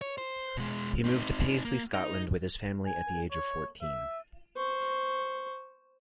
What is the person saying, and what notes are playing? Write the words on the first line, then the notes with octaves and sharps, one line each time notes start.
He moved to Paisley, Scotland, with his family at the age of fourteen.
C#5
C5
B2 G#3
C4 D#4
A#3
D#4
G#5
C#5
E5
C5 C#6